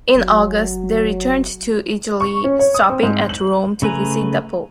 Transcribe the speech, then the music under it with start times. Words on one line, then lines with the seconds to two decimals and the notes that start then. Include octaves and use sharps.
In August, they returned to Italy, stopping at Rome to visit the Pope.
0.14 F#1 F#3
2.20 C#6
2.44 C#4
2.59 C#5
2.74 D#6
2.90 C4
3.03 G#2
3.29 F#7
3.82 C#3 A3 B4 G#5 A#5